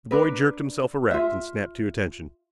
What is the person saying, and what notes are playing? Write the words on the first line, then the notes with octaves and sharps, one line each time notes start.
The boy jerked himself erect and snapped to attention.
D4 A#4 B4
F4 E5